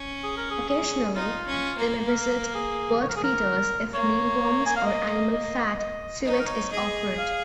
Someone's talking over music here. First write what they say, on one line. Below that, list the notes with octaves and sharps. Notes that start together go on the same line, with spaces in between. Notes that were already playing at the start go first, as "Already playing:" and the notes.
Occasionally, they may visit bird feeders if mealworms or animal-fat suet is offered.
Already playing: C#4
G#4
A#4
G#4
G#4
D#4 F4
C#4
A#3
A#4
G#4
C#5
A#4
G#4
A#4
A#3 C#5
G#5
F5
D#5
D#5
D#5
D#4 D#5
C#5
A#4
C#5
G#4 D#5
F5